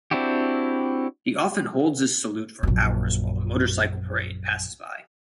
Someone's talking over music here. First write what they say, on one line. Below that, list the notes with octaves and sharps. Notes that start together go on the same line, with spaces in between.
He often holds his salute for hours while the motorcycle parade passes by.
C4 D4 E4 F#4 G4
A#1 F#2